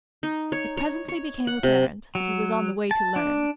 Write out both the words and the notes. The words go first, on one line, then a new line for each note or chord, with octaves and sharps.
It presently became apparent that he was on the way to learn.
D#4
C#5
C#5
C#5
F#5
C3
F#3
A5
D4